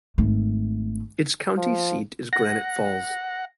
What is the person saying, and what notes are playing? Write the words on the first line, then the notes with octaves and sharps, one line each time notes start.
Its county seat is Granite Falls.
G#1 A3
F3
F#5 A#6